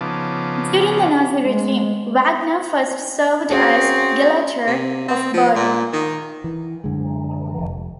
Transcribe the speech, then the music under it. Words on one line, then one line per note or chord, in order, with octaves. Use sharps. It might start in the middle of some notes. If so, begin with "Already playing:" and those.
During the Nazi regime, Wagner first served as Gauleiter of Baden.
C#3 F3 B3 D#4 A5 D6
G#3
C4 C#4 F#4 G#4
C3
C4
F3
A#2
D#3
E3
F#2 D3 G#3
F1